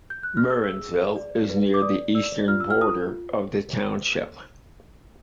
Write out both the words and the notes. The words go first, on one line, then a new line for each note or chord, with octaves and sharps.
Murrinsville is near the eastern border of the township.
G6
F#6
F6
G#4 E6
G#4
D5
B4
D6
D5 D#6
D5 E6
F4 F6
E6
F6
F4 D#6